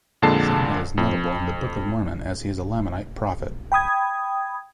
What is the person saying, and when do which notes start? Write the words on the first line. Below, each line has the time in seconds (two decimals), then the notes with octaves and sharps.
Samuel is notable in the Book of Mormon as he is a Lamanite prophet.
0.22 F2 A#2 D3 G#3 A5 C7
0.98 F2
3.72 G5 B5 D#6 G#6